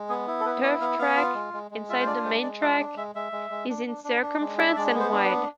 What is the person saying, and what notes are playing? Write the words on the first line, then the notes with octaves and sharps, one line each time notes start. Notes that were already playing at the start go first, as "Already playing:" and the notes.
A turf track, inside the main track, is in circumference and wide.
Already playing: G#3
B3 G#4
E4
A4
B3 B4
E4 D5
B3 F5
B3 F5
F4
G#3
G#3
G#3
F4 E5
C5
D4 D5
G#3 C5
G#3 D5
F4 E5
D4
G#3 E5
G#3 E5
G#3
G#3
D4
D4
D4
D4
G#3
D4
E5
G#3 D5
B3
C5
D4
B4
B3